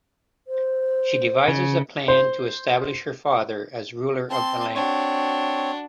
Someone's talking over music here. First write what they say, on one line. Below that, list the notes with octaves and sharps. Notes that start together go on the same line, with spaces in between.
She devises a plan to establish her father as ruler of the land.
C5
C#3
C5
C4 A5 C6
C4 D4 F#4 C#5